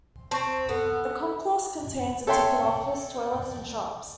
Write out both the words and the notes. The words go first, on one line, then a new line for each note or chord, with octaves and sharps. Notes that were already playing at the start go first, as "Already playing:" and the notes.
The concourse contains a ticket office, toilets and shops.
C4 A5 C#6
B3 A4
A4 C#5 E5 G5 C6